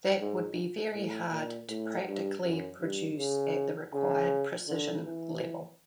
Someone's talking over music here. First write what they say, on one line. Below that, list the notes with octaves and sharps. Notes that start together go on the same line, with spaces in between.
That would be very hard to practically produce at the required precision level.
G#2
A2
A#2
A2
G2
F#2
G2
C#3
C#3
D3
E3